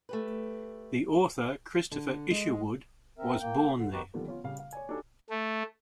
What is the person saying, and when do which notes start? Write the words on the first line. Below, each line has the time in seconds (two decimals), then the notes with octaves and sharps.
The author Christopher Isherwood was born there.
0.09 A3 G4 B4
1.91 D3
2.31 G#3
3.18 C4 A#4 E5
3.40 A#3 G5
3.75 D3
3.92 D#3 B3 D#4 F#4 G4 B4
4.14 D3 D#3 F3 G3 B3
4.26 B3 C#4 F4
4.44 C#3 G3 F5
4.59 F5
4.73 C#5 D5 G#5
4.89 D4 D#4 F#4 G4 A4 G#5
5.30 A3